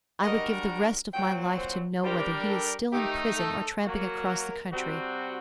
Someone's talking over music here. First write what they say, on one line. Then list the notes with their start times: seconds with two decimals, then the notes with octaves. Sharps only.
I would give the rest of my life to know whether he is still in prison or tramping across the country.
0.24 G3 D4 F#4 A#4 D#5
1.13 A#2 F#3 C4 G5
1.57 C5
2.03 G3 D4 G4 A#4 C5
2.48 A4
2.92 D#3 A3 D#4 G4
3.37 A4
3.82 F#3 A#3 F#4
4.26 A#4
4.71 C3 G3 C4 F#4